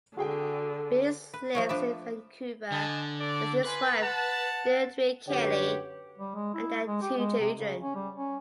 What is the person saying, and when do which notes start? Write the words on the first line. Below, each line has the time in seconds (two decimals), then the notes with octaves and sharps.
Beers lives in Vancouver with his wife Deirdre Kelly, and their two children.
0.17 D3 F#4 G#4 G5
1.34 B4
1.55 F3 A3 C#5
1.69 F3 D4 B4 E5
2.72 D3 D#5 G#5 A5
3.20 A4 D5
3.65 F4 B4 G#5 C6
4.03 F#5 A5
5.28 F#2 D3 G4 B4 C#5 F#5
6.18 G3
6.35 G#3
6.54 E4
6.87 G#3
7.02 G4
7.18 G#3
7.39 C3
7.57 C#3
7.81 C#4
7.95 G3
8.16 C#4